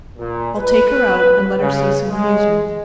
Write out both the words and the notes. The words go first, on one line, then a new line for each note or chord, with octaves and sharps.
I'll take her out and let her see some amusement.
A#2
B4
C#3
G#3